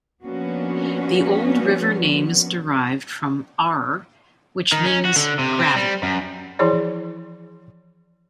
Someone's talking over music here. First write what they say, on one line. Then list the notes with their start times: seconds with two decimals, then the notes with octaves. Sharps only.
The old river name is derived from "aurr" which means "gravel".
0.24 F3 A#3 B3 C#4 D4 F#4
4.72 D#3
4.86 C#4
5.05 F#4
5.16 D3
5.39 C3
5.59 C4
5.76 G3
6.03 F#2
6.59 E3 F3 E4 G#4 C#5 D5